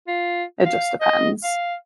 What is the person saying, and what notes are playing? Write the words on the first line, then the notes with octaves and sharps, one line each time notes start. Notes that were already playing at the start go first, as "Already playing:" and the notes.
it just depends.
F4
F5
D#5
F5